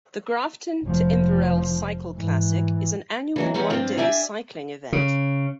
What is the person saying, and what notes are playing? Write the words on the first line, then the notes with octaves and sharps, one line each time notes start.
The Grafton to Inverell Cycle Classic is an annual one day cycling event.
F1 F3
G#2 E3
E3 F#3 G#3
D#3 E3 B3 C#4 G#4
G2 F3 C4 D4 F4
D4 G4 E5 G#5
C#3